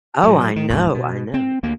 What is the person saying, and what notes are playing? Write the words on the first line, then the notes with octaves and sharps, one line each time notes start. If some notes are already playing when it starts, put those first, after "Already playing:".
Oh, I know, I know.
A2 F#3
D#3
E1 D2 G#2
B2
C4
D2 A#3